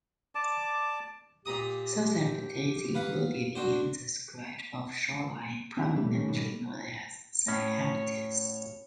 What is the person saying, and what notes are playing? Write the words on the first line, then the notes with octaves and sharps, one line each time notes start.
Southampton is included in the stretch of shoreline prominently known as The Hamptons.
D5 A5 D6
A#2 G4 A#5 D#6
B4 F5 F#5
D3 F#4 C5
C4 E4 E5
E3 G3 A3
D#3 C#4
G#2 B2 G3
A2 C#4 C#5